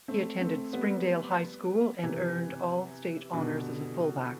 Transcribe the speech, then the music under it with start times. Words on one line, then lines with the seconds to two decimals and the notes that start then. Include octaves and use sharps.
He attended Springdale High School and earned all-state honors as a fullback.
0.08 A3 C4
0.41 A3 C4
0.73 G3 B3
2.03 C3 E3
3.33 B2 D3